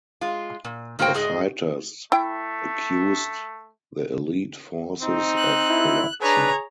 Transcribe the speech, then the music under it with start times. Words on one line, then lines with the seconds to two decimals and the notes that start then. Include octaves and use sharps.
The fighters accused the Elite Forces of corruption.
0.21 G#3 F4
0.65 A#2
0.99 G#2 A#3 F#4 A4 C5 G5
1.14 G#2 G#4 D#5
2.12 A3 E4 G5
5.01 C4 D#4
5.37 F#6
5.69 E4
6.21 D4 G#4 B4 C#5 A#5